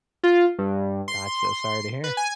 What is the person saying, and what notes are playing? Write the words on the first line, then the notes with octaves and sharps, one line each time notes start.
Gotcha. Sorry to hear.
F4
G2
C6
B4
G#5